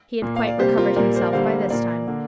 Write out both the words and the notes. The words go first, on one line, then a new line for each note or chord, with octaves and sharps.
He had quite recovered himself by this time.
A#2 A#3
F5
D5
C3 G3 A#3 G4 C5
F4 A#4
A#2 G3 A#3 A#4 D5
C5
A#4 D5
D3 G3 A#3 C5 F5
A#2 A#3 A#4 D5
D3 A#3